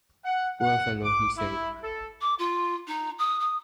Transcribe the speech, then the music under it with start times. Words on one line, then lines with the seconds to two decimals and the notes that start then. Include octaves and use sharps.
"Poor fellow," he said.
0.25 F#5
0.60 F#5
1.03 D6
1.36 E4
1.83 A4
2.21 D6
2.39 F4
2.87 D#4
3.19 D#6
3.40 D#6